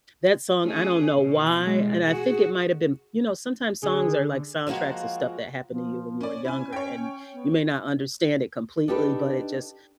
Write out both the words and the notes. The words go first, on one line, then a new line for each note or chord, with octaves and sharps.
That song, I don't know why, and I think it might've been you know, sometimes songs are, like, soundtracks of stuff that happened to you when you were younger, and you may not understand it completely, but it just
A3 C#4 G#4
B2 E3
G#3
F#4 G#4
D3 G#4
F3 G#3 A#3 F4 F#4
F3
C#4 D5
C#4 E4 G#5
C#5 G5
B3
D4 D#4 G4 A4 B4